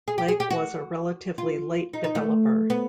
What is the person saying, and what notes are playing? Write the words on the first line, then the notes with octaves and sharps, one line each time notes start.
Lake was a relatively late developer.
G#4
G4
G#4
G4
F#4
F4
D#4
D#4
A3
B3